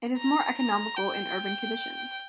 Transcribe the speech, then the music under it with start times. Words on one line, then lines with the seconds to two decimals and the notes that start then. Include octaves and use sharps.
It is more economical in urban conditions.
0.18 A#5
0.58 A#5
0.97 G5